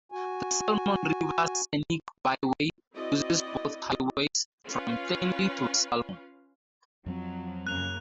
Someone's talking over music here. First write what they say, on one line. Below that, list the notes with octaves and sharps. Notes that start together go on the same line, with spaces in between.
The "Salmon River Scenic Byway" uses both highways, from Stanley to Salmon.
F#4 G#5
C4 E4 F#4 D5 D#5
C#4 F4 B4 F5
F2 F3 F#3 C4
F#2 C#3 A#3 F#6 F7